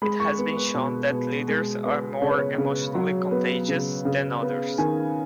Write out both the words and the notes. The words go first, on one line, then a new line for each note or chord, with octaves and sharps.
It has been shown that leaders are more emotionally "contagious" than others.
G#3 B5
C#6
B3
B4
B2
B2
G#3
B3
C#3 C#5
B4
C#5
C#3
F#3
B3
C#3
C#3
B3
D#3 G#5